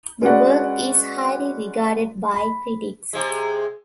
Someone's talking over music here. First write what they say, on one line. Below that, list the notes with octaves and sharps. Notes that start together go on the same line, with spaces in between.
The work is highly regarded by critics.
G#3 C#4 F#4 B4 D5 F#5
B5
C3 G#3